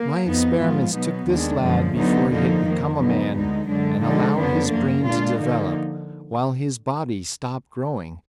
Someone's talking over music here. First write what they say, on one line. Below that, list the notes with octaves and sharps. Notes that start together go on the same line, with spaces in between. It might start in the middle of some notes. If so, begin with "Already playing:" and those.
My experiments took this lad before he had become a man, and allowed his brain to develop, while his body stopped growing!
Already playing: A#3
F2 F3 B3 D#4
G#2 F3 G#3 B3 F4
B2 F#3 B3 D#4
D#2 D#3 G#3 D4
F#2 D3 F3 G#3
D2 D3 F#3 B3 D#4
F2 D3 F3 A#3 D#4
F2 D#3 A#3
D3 F#3 B3 D#4
D2 D3 G#3 D#4
F#2 D3 G#3 D4
D3 F3 G#3 D#4
F2 D3 F#3 B3 D4
F#2 F3 A#3
A#2 G#3 D4 F4
D3 F3 A#3 D#4